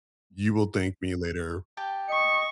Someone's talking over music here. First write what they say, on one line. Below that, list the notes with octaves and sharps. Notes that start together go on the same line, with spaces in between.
You will thank me later,
G4 G5 A5
D#5 C#6